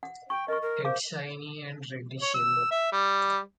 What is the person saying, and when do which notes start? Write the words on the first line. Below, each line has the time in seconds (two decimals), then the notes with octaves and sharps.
Head shiny and reddish yellow.
0.03 F#5
0.30 G5 C#6
0.48 A#4 D#5 C#6
0.62 A#4
0.84 A#4 C5 F5 D6
2.22 C#5
2.34 E6
2.71 E5
2.92 G3